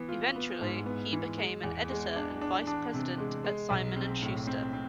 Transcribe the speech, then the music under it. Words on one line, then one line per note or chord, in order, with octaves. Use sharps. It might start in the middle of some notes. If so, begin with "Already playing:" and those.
Eventually he became an editor and vice-president at Simon and Schuster.
Already playing: E3 B3
F4
B3
G#2
B3
E3
G#3
E2
G#3
D4
D4
D4
C3
G#3
G#3
B1
C4
A2
C4
C4